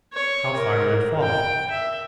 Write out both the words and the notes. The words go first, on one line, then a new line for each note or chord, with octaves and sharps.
How far did it fall?
C#5
A#4
G5
E5